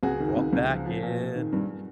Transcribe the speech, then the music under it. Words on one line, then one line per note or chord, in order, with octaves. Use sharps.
brought back in, and
C#2 F#4 G#4
D#3
C#2
C#2
F3
F3
A#2
A#2
D#3
G2